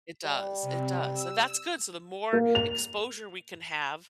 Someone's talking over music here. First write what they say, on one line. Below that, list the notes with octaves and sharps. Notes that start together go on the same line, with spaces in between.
It does, it does, and that's good so the more exposure we can have,
G3
C3
E6
A#3
F7